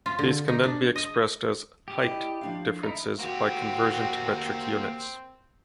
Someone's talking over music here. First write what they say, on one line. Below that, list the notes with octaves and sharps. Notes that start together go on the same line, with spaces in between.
These can then be expressed as "height" differences by conversion to metric units.
F4
D3
D#4
D4
D#5
G4
E4 D5 D#5
F3 D4 F5
D#4 E4
A#3 C4 F#4 G4 G5